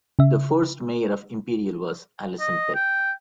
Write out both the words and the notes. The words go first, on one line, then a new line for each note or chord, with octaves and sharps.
The first Mayor of Imperial was Allison Peck.
C#3 E5
D#5
G5